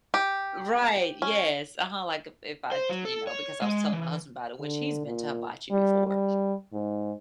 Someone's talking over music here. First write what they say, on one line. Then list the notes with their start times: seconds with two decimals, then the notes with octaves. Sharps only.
right. Yes. Uh-huh. Like, if I, you know, because I was telling my husband about it, which he's been to hibachi before,
0.14 G4
1.22 C#4
2.72 C5
2.89 F#3
3.05 A4
3.27 C#5
3.62 G#3
3.92 E3
4.59 D3
5.06 A#2
5.71 G3
6.07 G3
6.73 G#2